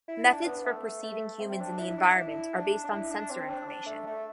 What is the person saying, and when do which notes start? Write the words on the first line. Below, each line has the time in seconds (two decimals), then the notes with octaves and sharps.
Methods for perceiving humans in the environment are based on sensor information.
0.08 E4
0.27 D4
0.45 B3
0.66 A3
1.03 A3
1.40 C4
1.60 D4
1.78 E4
1.98 D4
2.16 E4
2.54 D4
2.84 D4
2.92 E4
3.11 D4
3.30 C4
3.49 D4
3.68 D4
3.86 A3
4.06 A3